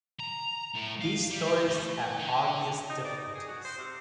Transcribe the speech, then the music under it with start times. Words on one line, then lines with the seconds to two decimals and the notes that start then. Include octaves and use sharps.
These stories have obvious difficulties.
0.20 A#5
0.75 A2
1.02 F5
1.31 G3
1.69 A3
2.18 D3
2.90 D#4
3.05 D5
3.19 D#4
3.35 G#4
3.48 F#4
3.65 C5
3.78 C3